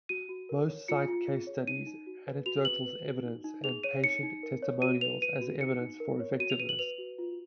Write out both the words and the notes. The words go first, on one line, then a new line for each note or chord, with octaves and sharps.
Most cite case studies, anecdotal evidence, and patient testimonials as evidence for effectiveness.
F#4 D#7
F#4
A#4
C#5
F4 C#7
F4
G#4
C#5
D#4 D#7
D#4
F#4
B4
F#4 F7
B4 F#7
B4
F#4
D#4
D#4
G#4 F7
C#5 D#7
D#4 C#7
D#4
A#4
C#5
F#4 D#7
B4 F7
B4 D#7
F#4
D#4 C#7
D#4
A#4
C#5
F#4 D#7
F7
B4 D#7
F#7
B4 F7
F#4
F4